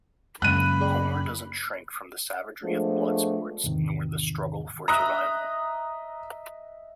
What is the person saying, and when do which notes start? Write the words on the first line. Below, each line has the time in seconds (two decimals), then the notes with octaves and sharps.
Homer doesn't shrink from the savagery of blood sports nor the struggle for survival.
0.42 F#2 C#3 G#3 A#3 B5 F#6 D#7
0.81 G#4 D5 G5
2.63 F3 G#3 A3 B3 D4
3.64 E2 G#2 C3 D#3
4.88 D#5 E5 A#5 F#6